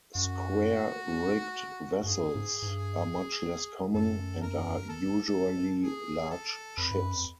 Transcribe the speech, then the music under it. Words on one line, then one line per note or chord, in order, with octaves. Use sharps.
Square-rigged vessels are much less common, and are usually large ships.
F#2 F#4
G2 G#4
G#2
G#2
G2
F#2 A4
A#4
A4
G#4
A4
F2 B4
G2
F#2
F2